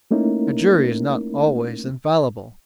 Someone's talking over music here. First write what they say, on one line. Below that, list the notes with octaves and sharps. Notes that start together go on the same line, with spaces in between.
"A jury is not always infallible!"
A3 A#3 C#4 D#4 E4 A#4